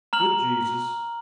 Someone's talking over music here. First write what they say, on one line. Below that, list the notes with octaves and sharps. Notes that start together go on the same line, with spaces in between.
Good Jesus!...
A#5 F6 F#7